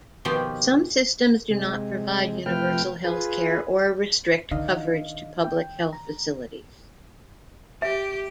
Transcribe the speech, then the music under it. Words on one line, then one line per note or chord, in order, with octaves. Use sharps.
Some systems do not provide universal healthcare or restrict coverage to public health facilities.
B2 D#3 F3 G4 G5 C6
C3 G#3
C3 F3 A3 B4 G5 F6
F4 G#4 B4
D#3 D4 D#5 F5
G5
A#5
G4 E5